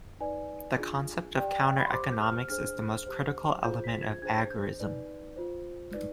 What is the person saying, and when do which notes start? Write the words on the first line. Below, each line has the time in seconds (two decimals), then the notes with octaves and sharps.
The concept of counter-economics is the most critical element of agorism.
0.20 D#4 B4 D5 G#5
0.78 D4 F4 G#4
1.35 G4 D5 G5
1.49 G5
1.64 G5
1.78 B5
1.86 C6
1.92 G4 C5 D6
2.12 G6
2.21 F6
2.49 D4 G#4 C5 F6
3.06 G4 C5
3.64 F4 G#4 C5 G6
3.84 B6
4.02 G#6
4.22 D4 G#4 C5 G#6
4.50 G6
4.80 D#4 B4 D5
5.36 F4 C5
5.94 D#4 B4 D5